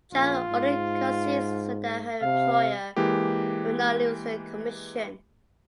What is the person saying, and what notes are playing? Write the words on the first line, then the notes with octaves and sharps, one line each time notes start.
Jan only concedes so that her employer will not lose the commission.
A#1 F4
G#2
C3 F5
E3 G#3 A#3 G4